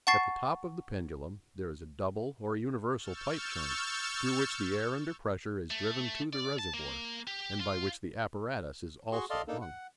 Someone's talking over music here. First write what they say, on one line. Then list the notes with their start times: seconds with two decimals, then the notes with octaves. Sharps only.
At the top of the pendulum there is a double or universal pipe-joint through which the air under pressure is driven to the reservoir, and by which the apparatus is also hung.
0.07 F#5 A5 C#6 A6 C7
2.97 C#6 E6 F6 G6 A6
5.71 A3
6.33 D5
6.59 A5
6.74 A#3
7.27 G4
7.60 F4
9.12 F#4 G#4 C6 C#6
9.30 A4 D5 D#5 F5 C6
9.48 A#3 D4 D#4 A4
9.62 F#5